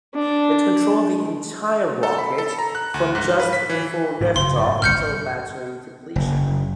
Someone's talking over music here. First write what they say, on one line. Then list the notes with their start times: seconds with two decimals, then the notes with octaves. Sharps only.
It controlled the entire rocket from just before liftoff until battery depletion.
0.15 D4
2.03 A4
2.18 B5
2.38 A4
2.59 A#5
2.75 F#6
2.94 D2
3.15 G#2
3.40 B4
3.53 B6
3.69 E3
4.21 G#2 B2 D#3
4.36 F#1 C6
4.55 G#2
4.82 G1 C2 A2 F6 G6 C#7
6.16 F#1